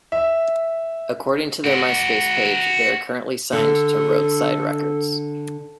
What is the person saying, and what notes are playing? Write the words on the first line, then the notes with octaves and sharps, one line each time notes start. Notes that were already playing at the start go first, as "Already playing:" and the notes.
According to their MySpace page, they are currently signed to Roadside Records.
E5
F#4 D5
D3 A4